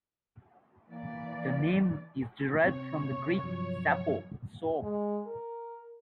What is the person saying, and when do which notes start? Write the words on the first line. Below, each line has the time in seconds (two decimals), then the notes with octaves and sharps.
The name is derived from the Greek "sapo", soap.
0.88 E3 A#3 D5
2.64 C3 C4 C#5 C#6
3.42 G2 F3 F#3
4.81 G#3
5.26 A#4